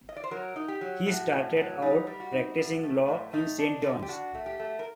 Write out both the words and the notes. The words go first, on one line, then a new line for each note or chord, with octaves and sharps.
He started out practising law in Saint John's.
D#5
D5
C5
F#3 A#4
D#4
G4
F#3
A2 F#4
A2
F#3
G3 D#4
G3
F#4
D#4
A2
A3
A2
A3 D#4
D4
D3
G4
D4 F#4
A3
G4
A3
A#4